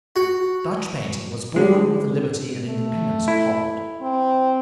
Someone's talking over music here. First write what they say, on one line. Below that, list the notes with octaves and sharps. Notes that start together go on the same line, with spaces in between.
Dutch painting was born with the liberty and independence of Holland.
F#4
G#2 D3 G#3
A3
E4
C4